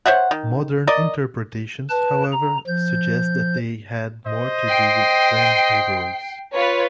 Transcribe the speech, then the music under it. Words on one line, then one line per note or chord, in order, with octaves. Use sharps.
Modern interpretations, however, suggest that they had more to do with clan rivalries.
C5 C#5 E5 F#5
D#3
A#4 D5 D#5
B4 A5
A#5
F3 G6
C5 D#5
G5 C7
F4 B4 C#5